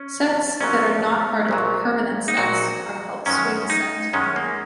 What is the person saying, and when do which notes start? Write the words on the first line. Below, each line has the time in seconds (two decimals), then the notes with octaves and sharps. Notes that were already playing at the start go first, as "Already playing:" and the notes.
Sets that are not part of the "Permanent" sets are called swing set.
Already playing: C#4
0.61 A#1 A#2 F#3 C#4
1.48 A#1 A#2 F#3
2.28 D#4
2.37 A#1 A#2 F#3 F#4
3.26 F#2 D#3 G#3 C#4
3.70 D#4
4.13 F#2 D#3 G#3 C#4
4.36 A#3